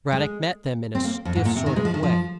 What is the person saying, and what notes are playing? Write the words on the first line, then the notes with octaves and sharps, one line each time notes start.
Brad-dock met them in a stiff sort of way.
G#3
C4
A#3
F2
G#2
A#2
C3
D#3
G#3
F3
D#3
F3